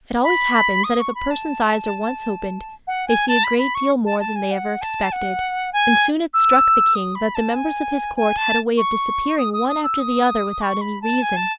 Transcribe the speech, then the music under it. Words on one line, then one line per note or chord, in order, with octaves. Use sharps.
It always happens that if a person's eyes are once opened they see a great deal more than they ever expected; and soon it struck the king that the members of his court had a way of disappearing one after the other without any reason.
B5
D#6
C#6
B5
A5
F#5
G#5
A5
B5
B5
C#6
A5
A5
G#5
F#5
A5
F#5
G#5
E6
D#6
B5
A5
G#5
G#5
A5
C#6
D#6
D#6
D#6
E6
D#6
C#6
B5
A5
G#5
A5